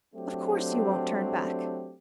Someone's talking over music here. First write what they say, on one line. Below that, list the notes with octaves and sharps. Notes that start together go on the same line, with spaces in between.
Of course you won't turn back.
F#3 A3 C4 D4 G4